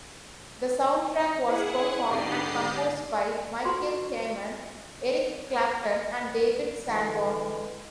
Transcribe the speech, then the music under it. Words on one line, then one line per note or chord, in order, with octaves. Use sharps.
The soundtrack was performed and composed by Michael Kamen, Eric Clapton, and David Sanborn.
E4 G#4 F#5
G#2 D3 G4 D5 D#5 C7
F4 F#4 A4 C6 C#6
D3 E3 G#3